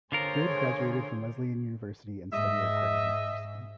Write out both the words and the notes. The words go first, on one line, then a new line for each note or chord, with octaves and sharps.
Goode graduated from Wesleyan University and studied at Harvard University.
D3 F4 G#4 A#4 C5 C#5
G#2 D#5 E5